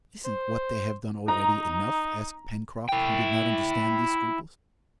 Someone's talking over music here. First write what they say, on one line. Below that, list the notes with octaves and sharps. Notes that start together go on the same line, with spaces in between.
"Isn't what they have done already enough?" asked Pencroft, who did not understand these scruples.
C5
D#4 A#5
E4 G5